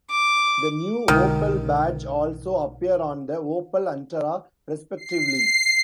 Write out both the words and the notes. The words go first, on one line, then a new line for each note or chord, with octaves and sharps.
The new Opel badge also appear on the Opel Antara, respectively.
D6
B1 D3 D#3 G#3
C7